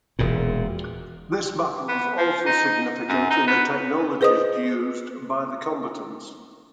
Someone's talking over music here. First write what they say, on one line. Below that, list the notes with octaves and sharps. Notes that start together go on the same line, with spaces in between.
This battle was also significant in the technologies used by the combatants.
E1 A#2
B3
F3
D#4
F#2
D#4
B3
G#4 B4 C5 D#5 D#6